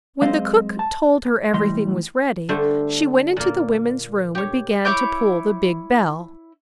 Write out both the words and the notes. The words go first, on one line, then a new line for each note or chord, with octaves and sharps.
When the cook told her everything was ready she went into the women's room and began to pull the big bell.
F#3 G#3 C4 C5 D#5 F5
A5
C2 A2 E3 G3 D#5 C6
D3 G3 A3 C5
A#2 A#3
G4 C#5
E4 C#5 D6 G6